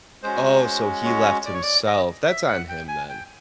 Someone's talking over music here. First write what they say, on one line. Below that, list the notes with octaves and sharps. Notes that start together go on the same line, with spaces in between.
Oh, so he left himself, that's on him, then.
G#3 C#4 F#4 C5
C#5
D5
C#5
D5
D#5
E5
F#5
G5
G#5
G5